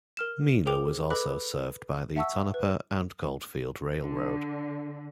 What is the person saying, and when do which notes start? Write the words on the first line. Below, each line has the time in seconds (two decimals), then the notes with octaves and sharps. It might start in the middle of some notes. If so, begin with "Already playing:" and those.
Mina was also served by the Tonopah and Goldfield Railroad.
0.17 A#4 F6 E7
0.66 G#4 A#4 C5 G5 D6 F7
1.10 A4 B4 D#5 B5 D6 F#6
2.16 E5 F#5 A5 C#6 E6
2.54 B4
4.01 D3